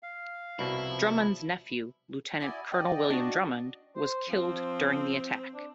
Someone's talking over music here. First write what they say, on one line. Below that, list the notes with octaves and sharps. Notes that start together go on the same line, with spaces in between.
Drummond's nephew, Lieutenant Colonel William Drummond, was killed during the attack.
F5
C2 B2 E4
F3
E4 F#4 D5 D#5 G#5
D5 D#5 G5
D4 F#4
C5
F3 C4
D4